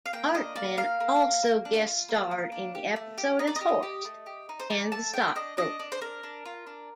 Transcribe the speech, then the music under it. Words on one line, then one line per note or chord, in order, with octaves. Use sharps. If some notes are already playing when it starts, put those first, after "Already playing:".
Hartman also guest-starred in the episode as Horst and the stockbroker.
F5
A#3 G5
D4 D#5
A#3 D5
A#3 F5
A#3
A#3
A#3
D4
F4
A#3
A#3
D4
G4
A3
G4
D#4 D#5
D5
D#5
G4
G4
A3
G4
D#4
C5
D#4 D5
A3 A5
G4 G5
D4 D#5
D4 D#5
D4
C5
D4 A#4
D4
F4
D4